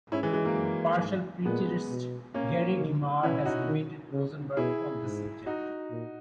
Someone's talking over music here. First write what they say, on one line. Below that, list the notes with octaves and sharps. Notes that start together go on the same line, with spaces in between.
Partial preterist Gary DeMar has debated Rosenberg on this subject.
G#2 C#4 E4
E3 G#3
E3 G#3
F#3 A#3
F#2
G#2
A#2 G#3 B3
B2
A#3 C#4
D#3
E3 C#4 E4
D#4 F#4
D#3
C#3
B2 E4 G#4
G#2
D#4 F#4
A#2